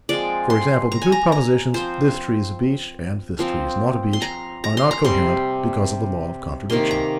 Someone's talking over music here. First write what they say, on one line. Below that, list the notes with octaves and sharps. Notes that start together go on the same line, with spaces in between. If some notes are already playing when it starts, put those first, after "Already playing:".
For example, the two propositions, 'this tree is a beech' and 'this tree is not a beech', are not coherent, because of the law of contradiction.
F3 G#3 C4 D5
C6
A#5
G#5
A#5
A#5
F3 C4 C5
F3 C4
C6
A#5
A#5
C6
A#5
C3 G3 C4 C6
C3 D#3 A#3 C6
A#5